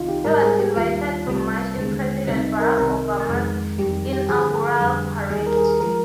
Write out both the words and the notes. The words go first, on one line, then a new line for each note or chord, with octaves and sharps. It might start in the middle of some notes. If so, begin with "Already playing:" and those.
It was invited to march in President Barack Obama's inaugural parade.
Already playing: C2 C3 D#3 D#4 F4
G4
G#2 G3 A#4
G#4
G4
D#2 D#3 G3 F4
C2 C3 G3
D#2 D3 G#3
C2 C3 G3 D#4
A#4
C2 C3 D#3 A#4
F2 D#3 G#3
F2 D#3 G3 G4
G4
G2 D3 F3 G#4
F2 D3 G3
D#2 D#3 G3 G#4
A#4
G#4
A#4
F3 G#3 A#4